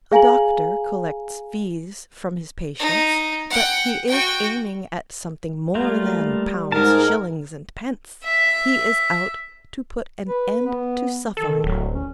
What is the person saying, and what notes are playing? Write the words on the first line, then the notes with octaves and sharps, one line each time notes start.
A doctor collects fees from his patients, but he is aiming at something more than pounds, shillings, and pence; he is out to put an end to suffering.
G#4 F5 G#5 A#5 F#7
D#4
F#5 G5
F#4 G5
G3 A3 A#3 F4
G#2 G#4 A#4 A5
E5
B4
B3
D#3 A4
D1 F#3
C#4